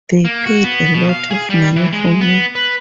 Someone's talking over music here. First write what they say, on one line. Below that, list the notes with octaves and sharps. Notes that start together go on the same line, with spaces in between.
They paid a lot of money for me.
A#3
F#4
B3
B2
F5
G#4
G3
E3
G#3
B3
B4